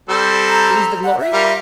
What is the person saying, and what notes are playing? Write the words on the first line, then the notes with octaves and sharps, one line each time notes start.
Whose the glory?
G3 C4 A4
A#5
F#5
E5
G3 F4 A#4